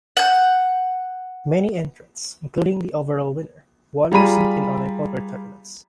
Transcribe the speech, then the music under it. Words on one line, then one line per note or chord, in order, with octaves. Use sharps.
Many entrants, including the overall winner, won their seat in online poker tournaments.
F#5 G6
G3 F4 G#4 A#5 B5 D#7